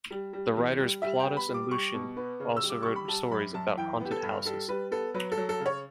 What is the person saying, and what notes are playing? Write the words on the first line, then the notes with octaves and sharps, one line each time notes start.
The writers Plautus and Lucian also wrote stories about haunted houses.
G3
G3
E2
G3
G3 E5
G5
B3
B5
G3
D6
G3 C#6
B2
B3
C#3
E6
G3
D6
G3 C#6
B5
G3 A5
F#2 B5
F#2 A5
E3 G5
B3 G4
A4
G2
G3 A4
G3 B4
B3 A4
F#3 B4
A4
F#3
A4
C#3
C#5